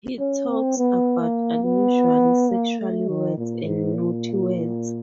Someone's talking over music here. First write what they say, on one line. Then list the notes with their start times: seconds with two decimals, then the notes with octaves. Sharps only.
He talks about unusual sexual words and naughty words.
0.20 C#4
0.49 C4
0.77 B3
1.20 A#3
1.64 B3
2.51 A#3
2.80 A3
3.08 D#3
3.38 A#2
3.66 G#2
3.95 A#2